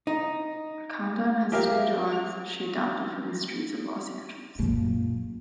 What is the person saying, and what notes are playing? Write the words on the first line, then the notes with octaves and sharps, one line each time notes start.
Condon has two dogs she adopted from the streets of Los Angeles.
D#4
G4 A#4 E5 F5
F#2 A#2